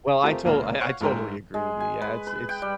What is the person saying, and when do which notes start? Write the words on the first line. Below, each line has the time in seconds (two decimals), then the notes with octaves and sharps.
Well, I to I I totally agree with you. Yeah, it's it's
0.23 A3 C4 F4 G4 G#4 A#4
0.45 C#2 A#2 A#3 F4
0.81 C#5 F5 F#5 C#6
1.01 A1 G#2 A#4 G5
1.54 G#3
1.80 G#5
2.02 B4
2.27 B4
2.49 G5
2.62 G3